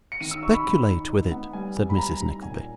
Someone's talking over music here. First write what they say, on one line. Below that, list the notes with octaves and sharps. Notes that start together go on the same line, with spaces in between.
'Speculate with it,' said Mrs Nickleby.
C#7
D#3 D#7
E6
D#4 C#6
B5
D#3
D#4
D#4
B3
G3 G#5
E4
B5
G3 A#5
D#4
A#2 G#5